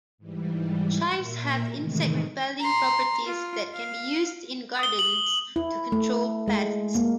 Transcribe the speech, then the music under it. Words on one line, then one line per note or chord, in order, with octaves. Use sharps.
Chives have insect-repelling properties that can be used in gardens to control pests.
G#2 E3 G3
A#2 A#4 E5
A2 C3 D#3 E3 G#3 A3
A#5 C6
F4
F5
D#6 G7
F#7
E4
A3
G#3
A#3